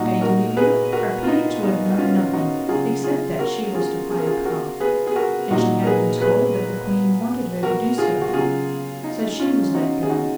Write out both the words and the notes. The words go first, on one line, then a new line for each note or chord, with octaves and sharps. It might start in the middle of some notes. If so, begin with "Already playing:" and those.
Gay d'Oliva appeared to have known nothing except that she was to play a part, and she had been told that the Queen wanted her to do so, so she was let go.
Already playing: A#2 F#3 D#4 F#4
F#4 A#4
G#4 B4
F#4 A#4
F4
D#4
D#4
F#4
C#4 F4
D#4 F#4
C#3 F#3 F4 G#4
F4 G#4
F#4 A#4
F4 G#4
G#4
A#4
F4 G#4
F#4 A#4
G#4 B4
G#4
F#4 A#4
A#2 F#3 D#4 F#4
A#4
G#4 B4
G#4 B4
F#4 A#4
F4 G#4
F#4
C#3 F#3 F4 G#4
D#4
C#4 F4
D#4 F#4
G#4
D#4 F#4